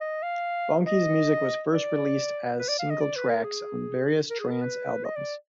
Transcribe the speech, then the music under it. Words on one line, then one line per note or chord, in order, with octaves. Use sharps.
Bonky's music was first released as single tracks on various trance albums.
D#5
F5
D#5
D5
B4
D5
F5
D#5
D5
B4
A#4
G#4
A#4
G#4
A#4
B4
D#5
D5